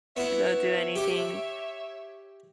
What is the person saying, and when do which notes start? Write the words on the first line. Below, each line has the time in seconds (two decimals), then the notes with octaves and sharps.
don't do anything."
0.17 B3 E4 C#5 E5
0.96 G4 D6